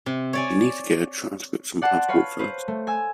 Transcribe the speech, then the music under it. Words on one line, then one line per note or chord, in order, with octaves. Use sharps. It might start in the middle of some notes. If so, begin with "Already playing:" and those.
She needs to get her transcripts and passport first.
C3
C#5 D5 G#5
D5 F#5 A5 C6
B4 C#5 F5 B5
B4 C5
A3
G#5 E6